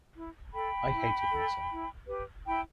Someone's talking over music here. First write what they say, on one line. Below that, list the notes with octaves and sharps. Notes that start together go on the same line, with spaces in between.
I hated myself.
E4
A4 G5 B5
E4
A4
E4
G4 B4
E4 G5 B5